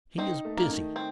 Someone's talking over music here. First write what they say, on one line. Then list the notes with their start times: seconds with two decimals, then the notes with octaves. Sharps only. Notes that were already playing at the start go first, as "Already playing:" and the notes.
"He is busy."
0.18 C4 D#4
0.45 A3
0.57 A#3
0.70 D#3
0.96 C4